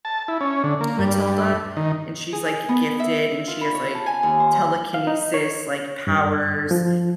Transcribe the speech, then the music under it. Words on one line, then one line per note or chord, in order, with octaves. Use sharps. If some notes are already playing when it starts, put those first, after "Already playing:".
"Matilda," and she's like g gifted, and she has, like, telekinesis, like, powers
A5
E4
C#4
D3
A#3
G2
D#3
G#4
B3
E5
F4
B5
C#5
A5
G#5
D#2
C5
A#5
F5
D#4
C#5
G2
F3